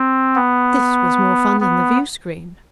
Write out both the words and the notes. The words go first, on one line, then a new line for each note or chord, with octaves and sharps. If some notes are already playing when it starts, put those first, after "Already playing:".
This was more fun than the viewscreen.
Already playing: C4
B3
B3